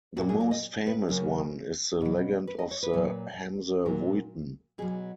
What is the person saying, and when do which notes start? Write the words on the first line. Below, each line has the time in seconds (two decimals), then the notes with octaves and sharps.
The most famous one is the legend of the "Hamse Wuiten".
0.17 A#2 F#3 F#4
0.29 G#4
0.41 A#4
0.51 D#5
0.87 B4
1.09 C#3 F#3 A#4
2.01 B2 F#3
2.47 B4
2.59 D#5
2.71 C#5
2.83 B4
2.93 A#2 F#3
3.86 A#2 F#3 A#4
4.78 B2 G#4
4.82 F#3